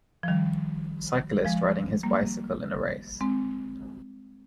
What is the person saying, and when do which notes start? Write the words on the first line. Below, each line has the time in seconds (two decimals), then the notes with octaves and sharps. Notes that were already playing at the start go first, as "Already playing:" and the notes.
Cyclist riding his bicycle in a race.
0.23 F3
0.28 D#3 G3
1.45 F3 G#3
2.03 G3 A#3
3.21 G#3 C4